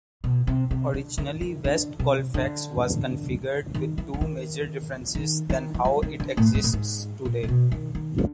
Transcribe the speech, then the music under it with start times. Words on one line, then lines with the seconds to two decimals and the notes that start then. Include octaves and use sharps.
Originally West Colfax was configured with two major differences than how it exists today.
0.24 B2
0.47 C3
0.71 C3
0.94 D3
1.18 D#3
1.41 D#3
1.64 D3
1.99 C3
2.34 D3
3.74 D#3
3.98 E3
4.14 E3
4.21 D#3
5.15 D#3
5.50 D#3
5.74 E3
5.85 F3
6.02 D#3
6.20 D3
6.37 A2
6.55 G#2
6.64 A2
6.73 G#2
7.25 A#2
7.43 A#2
7.48 B2
7.72 D#3
7.95 D#3
8.18 D3